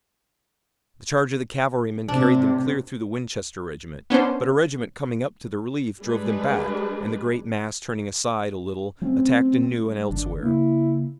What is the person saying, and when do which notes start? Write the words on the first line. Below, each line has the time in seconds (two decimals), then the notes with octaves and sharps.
The charge of the cavalrymen carried them clear through the Winchester regiment, but a regiment coming up to the relief drove them back, and the great mass turning aside a little attacked anew and elsewhere.
2.08 A2 C3 D4
4.10 B3 C#4 D4 C5
6.00 G3 G#3 D4 G#4 B4
9.02 F#3 A3 C4 C#4
9.84 G3
10.10 G1 D3 D#3 D4
10.42 C#3 A#3 E4